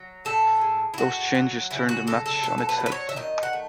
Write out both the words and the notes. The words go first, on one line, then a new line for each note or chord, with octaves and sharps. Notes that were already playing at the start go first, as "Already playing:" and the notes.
Those changes turned the match on its head.
Already playing: F#3
A2 A4
G#3
E4
A2 F#4
F#3
C#3 E4
F#4
F#3 A4
A4
B2 A4
A4
B4
F#3
B4
C#5
E5
D#3 D#5
F#5
A3